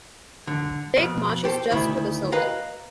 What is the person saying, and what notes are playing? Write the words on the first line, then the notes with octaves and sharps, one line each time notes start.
Dyke Marsh is just to the south.
D3
F2 B2
G4 A4 C5
D2 D#3 E4
B4 D#5 F5 A#5